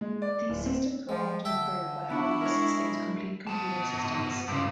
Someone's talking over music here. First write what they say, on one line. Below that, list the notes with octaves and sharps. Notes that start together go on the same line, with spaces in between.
These systems were often converted by hobbyists into complete computer systems.
G#3
D5
D1
C4
F3 G#3
D3 E5 G5 A5
B3 D4 E4 F#4
G#3 A#4 C#5
B3 A5
G2 C#3